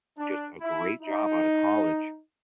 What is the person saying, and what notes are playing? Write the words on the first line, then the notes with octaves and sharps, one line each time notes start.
just a great job out of college,
D4
E4
D#4